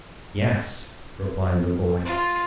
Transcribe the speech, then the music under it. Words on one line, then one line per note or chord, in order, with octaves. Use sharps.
"Yes," replied the boy.
F4